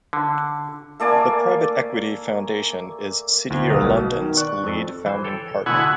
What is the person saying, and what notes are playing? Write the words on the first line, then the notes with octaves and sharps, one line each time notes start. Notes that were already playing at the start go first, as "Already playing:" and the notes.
The Private Equity Foundation is City Year London's Lead Founding Partner.
D3
A3 A#3 D5 G#5
D2 E4
B1 G3 A#4 D#6
B2
D#3
D5 C#6 F#6
F2 A4
E3 C5
A4 C#5 G5
B2 D3 A3 E4 F#5 G#5